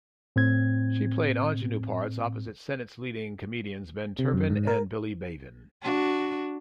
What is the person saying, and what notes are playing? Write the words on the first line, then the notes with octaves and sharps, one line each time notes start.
She played ingenue parts opposite Sennett's leading comedians, Ben Turpin and Billy Bevan.
A2 C4 G#6
C3
F#2
G#2
A#4
D4 F#4